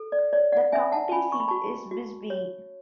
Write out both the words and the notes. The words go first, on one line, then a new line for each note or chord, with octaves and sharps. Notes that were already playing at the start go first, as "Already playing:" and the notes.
The county seat is Bisbee.
Already playing: A4
D5
C#5 D5
D5 F#5
C#4 E5 G#5
F#5 A5
C#4 G#5 B5
C#6
B5
F#4 A5 C#6
F#4
C#5